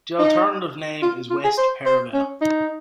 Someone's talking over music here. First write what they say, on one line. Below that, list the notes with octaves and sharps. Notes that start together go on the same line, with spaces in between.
The alternative name is "West Perivale".
D#4
F4
F4
G#4
C5
C5
C#4
D#4